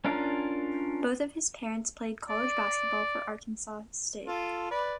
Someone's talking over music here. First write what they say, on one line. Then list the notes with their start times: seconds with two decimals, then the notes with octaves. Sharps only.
Both of his parents played college basketball for Arkansas State.
0.05 C#4 D4 F4 A#4
2.29 D5
4.27 F4 A4
4.71 B4 D5